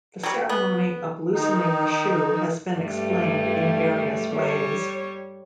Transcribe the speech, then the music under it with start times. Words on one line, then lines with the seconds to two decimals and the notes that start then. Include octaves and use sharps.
The ceremony of loosening the shoe has been explained in various ways.
0.23 F#3 G3
0.49 B3
1.34 D#3 D#4
2.77 G2 G3 A3
4.34 G3 C#5